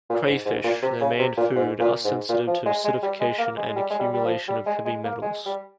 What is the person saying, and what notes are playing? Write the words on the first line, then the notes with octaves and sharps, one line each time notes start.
Crayfish, their main food, are sensitive to acidification and accumulation of heavy metals.
A#2
G#2
G#2
A#2
C3
C#3
C3
A#2
G#2
A#2
G#2
A#2
F3
G#3
G#3
G3
G#3
A#3
G#3
G#3
G3
G#3
G3
G3
F3
G3
G#3
G#3
A#3
G#3
G3